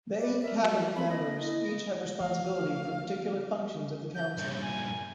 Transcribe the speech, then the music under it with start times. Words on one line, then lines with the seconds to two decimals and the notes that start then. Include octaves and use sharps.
The eight cabinet members each have responsibility for particular functions of the council.
0.20 B4 D5
0.42 A#4 E5
0.61 F#3 A4
0.96 C4 B5
1.09 A#3 D#5
1.40 E4 D#5
2.20 F3 A3 F5
4.15 G6
4.38 G2 A#2 G6
4.61 G#5